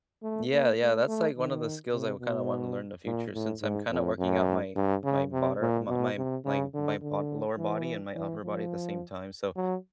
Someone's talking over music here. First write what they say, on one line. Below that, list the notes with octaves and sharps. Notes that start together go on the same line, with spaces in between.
Yeah, yeah, that's like one of the skills I would kinda wanna learn in the future since I'm kinda working out my my bottor m my my my part lower body and my upper body at the same time, so,
A3
A#3
A3
A3
D#3
C3
B2
A#2
A2
G#2
F2
F#2
G2
C#3
C3
A#2
B2
C3
C#3
D3
D3
E3
E3
F3
F#3